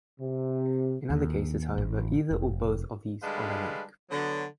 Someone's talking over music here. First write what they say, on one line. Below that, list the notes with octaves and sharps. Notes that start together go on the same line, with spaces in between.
In other cases, however, either or both of these are dynamic.
C3
D#2
A1
F1
D3 G3 G#3 D4 B4 F5
D3 F#3 B3